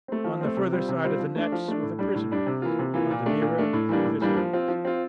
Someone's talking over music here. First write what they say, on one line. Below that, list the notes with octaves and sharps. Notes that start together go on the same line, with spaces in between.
On the further side of the nets were the prisoners, on the nearer, the visitors.
A3 C4
F3
A3 C4
C3
G3 C4 F4
C3
G3 C4 F4
F3
A3 D4
F3
A3 D4
A2
G3 D4
A2
G3 D4
C3
E3 A#3 F4
C3
E3 A#3 F4
A#2
A3 D4
A#2
A3 D4
A2
E3 G3 A#3 D4
A2
E3 G3 A#3 D4
F3
C4 F4
F3
C4 F4